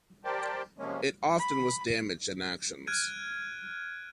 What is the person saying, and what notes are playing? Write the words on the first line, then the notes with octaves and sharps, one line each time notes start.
It often was damaged in actions.
G4 A#4 C5 D5 G5 A5
C3 F3 G#3 A#3 C#4
B5
F6 F#6 G#6 D7 D#7